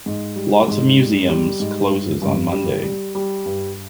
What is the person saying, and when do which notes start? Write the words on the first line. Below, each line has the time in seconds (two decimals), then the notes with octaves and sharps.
Lots of museums closes on Monday.
0.06 G#2
0.36 G3
0.68 G#2
0.99 G3
1.29 G3
1.60 G#2
1.91 G2
2.22 G2
2.52 G3
2.83 G3
3.15 G3
3.46 G2